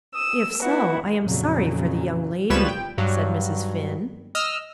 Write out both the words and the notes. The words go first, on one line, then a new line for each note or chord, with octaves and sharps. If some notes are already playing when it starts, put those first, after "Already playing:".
"If so, I am sorry for the young lady," said Mrs. Finn.
D#6 E6
B3 E4 F#4
F2 A#2 C#3 F#3
C#2 F3 G3 B4 C#5 E7
G5
G2 F#3
D#5 E6 F6